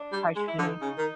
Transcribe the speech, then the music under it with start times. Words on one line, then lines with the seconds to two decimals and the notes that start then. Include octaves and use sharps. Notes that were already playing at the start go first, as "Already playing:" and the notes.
Partridge Family.
Already playing: D4
0.12 G3
0.36 G#3
0.48 E4
0.58 D3 D#4
0.81 C#3
0.98 D#3